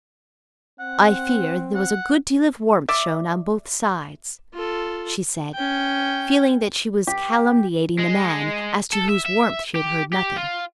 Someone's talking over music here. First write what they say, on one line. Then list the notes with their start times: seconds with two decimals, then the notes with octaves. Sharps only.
"I fear there was a good deal of warmth shown on both sides," she said, feeling that she was calumniating the man, as to whose warmth she had heard nothing.
0.80 C4 F#5
1.75 F#5
2.89 D5 E5
4.54 F4 A4
5.54 C#4 G5
7.07 G4
7.99 G#3
8.93 A4
9.09 E5
9.26 E5
9.75 G4
10.13 G4
10.37 F4